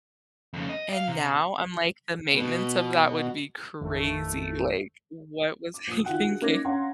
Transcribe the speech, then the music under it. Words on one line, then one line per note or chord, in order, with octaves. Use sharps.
and now I'm like, "The maintenance of that would be crazy," like, what was I thinking?
F2 C#3
D#5
D5 F5
C3
B2
A1 F2 D#3 A3
D6
A#1 D#6
D#3 F4 F#4 F#5 F#6
F#4 G#4
A#3 C#4 D#4 D6 G#6 A#6
C4 C#4 F5 F#5 A#5 C6